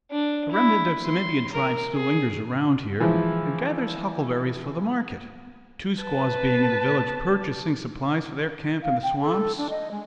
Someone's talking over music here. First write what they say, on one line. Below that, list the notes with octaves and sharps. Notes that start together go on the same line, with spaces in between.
A remnant of some Indian tribe still lingers around here and gathers huckleberries for the market, two squaws being in the village purchasing supplies for their camp in the swamps.
D4
E4
C6
A#4
G#4
E3 F3 G#3 E4
B4 A5
F5
G5
A4
D4
D#5
G#3